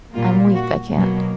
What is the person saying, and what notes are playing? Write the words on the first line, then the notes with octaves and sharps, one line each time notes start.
I'm weak, I can't....
A#2 G3 A#3 F4
F#4
B2 F#3 A#3